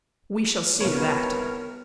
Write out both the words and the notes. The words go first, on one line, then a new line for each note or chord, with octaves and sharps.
"We shall see to that."
C2 B3 A#4 B4 C#5